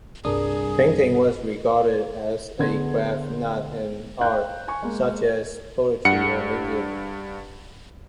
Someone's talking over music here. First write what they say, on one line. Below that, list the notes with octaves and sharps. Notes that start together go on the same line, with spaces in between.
Painting was regarded as a craft, not an art such as poetry or music.
C2 G2 D4 G#4 A#4 D#6
D3 B3 G#4 A4 C6 G#6
F5 G5 F#6 G6
G#5 C#6
G#3 A#3
G2 F#5 C#7